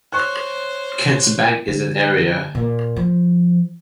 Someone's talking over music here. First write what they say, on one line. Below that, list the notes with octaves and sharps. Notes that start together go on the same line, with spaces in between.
Kents Bank is in area.
C5 C#5 C#6 F#6
D3
A#2
F3